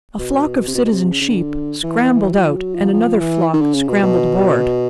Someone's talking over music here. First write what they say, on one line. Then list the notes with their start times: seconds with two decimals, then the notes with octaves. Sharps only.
A flock of citizen sheep scrambled out and another flock scrambled aboard.
0.19 B2
0.67 C3
0.75 B2
0.85 B2
0.92 C3
1.11 C#3
1.21 C#3
1.29 D3
1.83 E3
2.32 F#3
2.38 F3
2.57 F#3
2.75 F3
2.93 F3
3.20 E3
3.54 D#3
3.61 D3
3.74 C#3
3.89 B2
4.03 B2